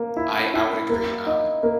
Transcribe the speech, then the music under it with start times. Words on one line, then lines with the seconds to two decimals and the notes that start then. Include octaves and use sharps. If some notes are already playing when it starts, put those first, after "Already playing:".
I I would agree. Um,
Already playing: A#3
0.17 E4
0.54 E4
0.89 A#3
1.26 D#4
1.63 A#3